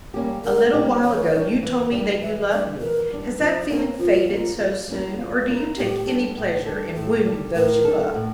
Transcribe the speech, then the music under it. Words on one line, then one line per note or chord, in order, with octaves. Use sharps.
"A little while ago you told me that you loved me: has that feeling faded so soon, or do you take any pleasure in wounding those you love?"
G3 A#3 C#4 G4
D3 A#4
G3 A#3 C#4 G4
E3 C#5
G3 D4
E3
G3 D4
E3 E5
G3 D4 D5
E3 A#4
G3 D4
F3 C#4
A#3 C#4 D4 E4 A#4
F3 F4
A#3 C#4 E4 A#4
F3
A#3 C#4 E4 A#4
F3
A#3 C#4 E4 A#4
A2 G4
G3 D4 A4
A2
G3 D4 A4
A2 A4
G3 D4 A4
A2 A#4
G3 D4 A4
A2